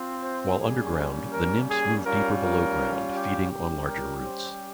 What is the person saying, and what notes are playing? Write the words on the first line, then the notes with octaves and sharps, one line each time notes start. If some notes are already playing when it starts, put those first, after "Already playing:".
While underground, the nymphs move deeper below ground, feeding on larger roots.
Already playing: C4 F4
C5
G3 A#3 C#4 G#4
A#4
G#4
G3 C#4 F4 A#4
A#4
G4
G3 C#4 G4
A#4
C5